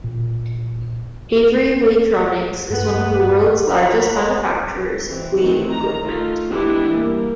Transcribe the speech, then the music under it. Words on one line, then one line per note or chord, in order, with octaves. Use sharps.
Avery Weigh-Tronix is one of the world's largest manufacturers of weighing equipment.
A#2
G2 B3 B4
F#4 C#5 A#5 B5
E3 C4
D#3 E3 A3 C4
D#3 A#5
A3 D#4 F4
E3 G#3 B3 D4 E4 G4
G3 A#3